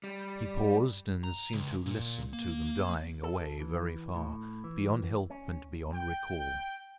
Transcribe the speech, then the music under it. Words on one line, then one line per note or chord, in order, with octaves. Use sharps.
He paused, and seemed to listen to them dying away very far--beyond help and beyond recall.
G3
A#5
C#2
A#2
A#3
A4
E3
A2
E3
C#4
G5